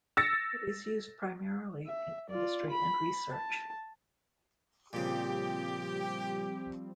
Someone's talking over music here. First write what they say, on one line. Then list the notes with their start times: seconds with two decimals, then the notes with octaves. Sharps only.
It is used primarily in industry and research.
0.17 E6 A6 A#6 C#7
1.87 E5
2.30 F4 D5
2.70 B5
3.31 A5
4.93 A#2 C#3 F3 G3 C4 G4